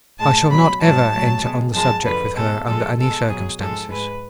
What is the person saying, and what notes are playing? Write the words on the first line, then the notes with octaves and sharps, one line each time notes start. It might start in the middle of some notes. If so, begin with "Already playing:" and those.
I shall not ever enter on the subject with her under any circumstances.
A2 G#3 A5
B2 F#3 B5
G#2 F#3 A5
A2 F#3
B2 G#3
F#2 F3 G#3 A5
F2 D3 F3 B4
B2 G#3 A4
G#2 F3 G#3 A4
B2 G#3 A4
B2 F#3 G#4
G#2 F3 G#3 A4
G#2 G#3 B4